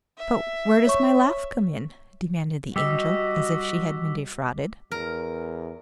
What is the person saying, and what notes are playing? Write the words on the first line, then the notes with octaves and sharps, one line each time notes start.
"But where does my laugh come in?" demanded the Angel, as if she had been defrauded.
E5
C#5 C#6
G3 F#4 G4 D#5 D6 E6 B6
E2 A#4